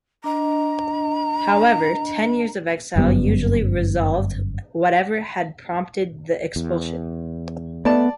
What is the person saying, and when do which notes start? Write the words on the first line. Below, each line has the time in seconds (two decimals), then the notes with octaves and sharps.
However, ten years of exile usually resolved whatever had prompted the expulsion.
0.24 D4 D#5 A#5
2.96 G1 F#2 G3 B3
6.56 E2
7.85 A3 B3 D5 A5